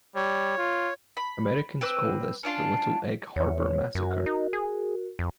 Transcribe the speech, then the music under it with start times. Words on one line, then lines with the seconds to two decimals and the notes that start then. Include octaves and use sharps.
Americans call this the Little Egg Harbor massacre.
0.16 G3 C#5
0.58 F4
1.17 B5
1.81 C4 B4 D6 E6
2.43 C#4 D4 F4 C6
3.36 E2 C#5
3.95 F#2 F#4 A#4
4.26 D#4
4.53 G#4
5.19 F2